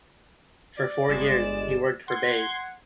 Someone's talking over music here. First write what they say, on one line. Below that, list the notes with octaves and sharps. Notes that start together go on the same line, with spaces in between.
For four years, he worked for Bayes.
D5
G1 G#3 E7
F#5 C6 G#6